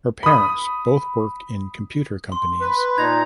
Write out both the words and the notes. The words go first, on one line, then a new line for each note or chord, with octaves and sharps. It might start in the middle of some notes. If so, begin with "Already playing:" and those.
Her parents both work in computer companies.
B5 D#6
C6
B4
A#2 D#4 A#5 G#6